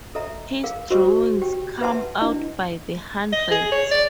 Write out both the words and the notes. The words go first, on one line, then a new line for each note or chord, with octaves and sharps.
His drawings come out by the hundreds.
A4 D#5 E5 A#5
G#4 A#4 F5
F#4 A#4 C5 D#5 C#6
G4 G5
B4 E5 F#5 A5 C6
D4 E4 D#5
D#5
G#4
C#5
D5